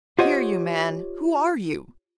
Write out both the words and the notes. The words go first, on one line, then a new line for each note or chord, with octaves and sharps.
Here, you man, who are you?
F4 G4 C5 C#5 D#5 F#5